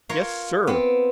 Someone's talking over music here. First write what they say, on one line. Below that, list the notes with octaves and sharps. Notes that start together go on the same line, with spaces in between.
"Yes, sir!"
F4 A#4 C#5 F5
B3 C4